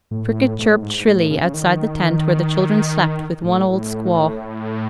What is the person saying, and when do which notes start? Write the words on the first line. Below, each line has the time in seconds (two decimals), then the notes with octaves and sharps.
A cricket chirped shrilly outside the tent where the children slept with one old squaw.
0.11 A2
0.59 A2
0.82 G#2
1.06 A2
1.30 C#3
1.44 C#3
1.54 D#3
3.44 A2